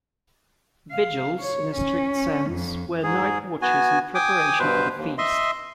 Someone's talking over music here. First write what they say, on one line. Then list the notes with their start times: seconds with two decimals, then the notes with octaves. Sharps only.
Vigils, in a strict sense, were night-watches in preparation for the feast.
0.91 F5
1.40 C#5
1.75 C#4
2.50 F2
3.03 G#2 G#4
3.62 B3 F#4 G#5
4.15 G5 G#5 D6 D#6
4.60 G2 B2 B4 C5
4.96 D#2
5.18 D#5 E5 C6